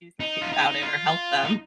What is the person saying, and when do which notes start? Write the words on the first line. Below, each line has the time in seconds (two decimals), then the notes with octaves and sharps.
do something about it or help them.
0.20 D#4
0.41 F4
0.52 D#4
0.82 F4
1.44 D#4